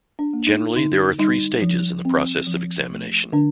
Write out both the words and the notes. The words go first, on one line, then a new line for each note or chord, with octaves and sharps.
Generally, there are three stages in the process of examination.
D4
A#3
D#4
D3 D#4
G3 D#4
F3
C4
F3
A3
D3 D4